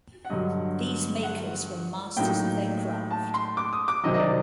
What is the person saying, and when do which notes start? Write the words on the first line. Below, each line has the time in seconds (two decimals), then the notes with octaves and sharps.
These makers were masters of their craft.
0.25 F#5
0.30 G2 D3 F#3 D#5
1.23 F#5
2.17 A2 F#3 A#3 D#4 G5
3.11 A5
3.34 C6
3.57 D6
3.73 D#6
3.88 D6
4.03 C2 C3 D#3 F#3 D#5
4.14 D#5
4.19 D5